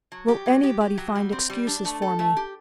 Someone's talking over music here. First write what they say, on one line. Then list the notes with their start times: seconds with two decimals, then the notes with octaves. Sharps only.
Will anybody find excuses for me?
0.12 F#3
0.28 G4
0.46 F#3
0.63 G4
0.81 G4
0.98 F#3
1.15 G3
1.32 C4
1.50 G3
1.67 D4
1.85 A3
2.02 A4
2.19 A3
2.37 G4